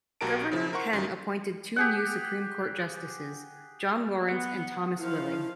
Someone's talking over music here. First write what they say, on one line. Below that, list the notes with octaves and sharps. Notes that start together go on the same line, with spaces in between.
Governor Penn appointed two new Supreme Court justices, John Lawrence and Thomas Willing.
B1 F#4 G4 A#4 A5 D7
C#3 F3
A#4 C5 F#5 C#6
F#2 D#3
G4 G#4 F#5
B3 F#5
D#3 F3 E4 F5